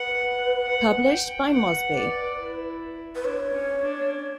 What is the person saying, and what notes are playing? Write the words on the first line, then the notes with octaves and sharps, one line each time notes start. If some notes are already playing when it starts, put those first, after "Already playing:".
Published by Mosby.
Already playing: B4 F#5
F#5
G5
B4 F#5
D5
E4
B4
D4 C#5
C#4
D4